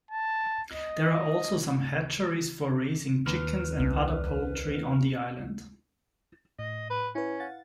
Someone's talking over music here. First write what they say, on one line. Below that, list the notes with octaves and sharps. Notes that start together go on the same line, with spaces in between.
There are also some hatcheries for raising chickens and other poultry on the island.
A5
D#5
D#2 B4 F6
C2
A2 D#5
B4
C#4 E4 B4
F5 F#5 A6